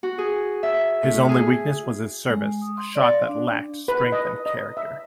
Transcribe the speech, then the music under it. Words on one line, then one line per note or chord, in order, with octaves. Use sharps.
His only weakness was his service, a shot that lacked strength and character.
F#4
G#4
E5
A2
G#4
G#3
D#6
C6
D5
F5
D4
B4
D#5
D#5
E5